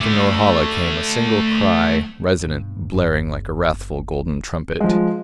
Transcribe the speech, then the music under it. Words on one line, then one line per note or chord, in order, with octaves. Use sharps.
From Norhala came a single cry--resonant, blaring like a wrathful, golden trumpet.
A3 D5
G2 B2
F#1
F3 G#3 C#4